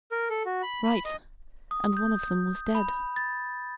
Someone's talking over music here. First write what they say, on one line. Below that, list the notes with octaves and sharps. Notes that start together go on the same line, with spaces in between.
"Right! and one of them was dead."
A#4
A4
F#4
B5
B5
D#5
D#6
G6
B5
A6